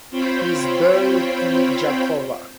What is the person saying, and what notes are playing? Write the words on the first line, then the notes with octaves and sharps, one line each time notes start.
He is buried in Gjakova.
C4 F4 C5 C#5 G5 B5